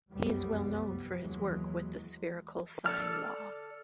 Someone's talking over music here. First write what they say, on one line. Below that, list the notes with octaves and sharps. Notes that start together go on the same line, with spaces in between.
He is well known for his work with the spherical sine law.
F1 C2 F#2 G3 B3
D#2 E3 F#3 G#3
A4 D5 F6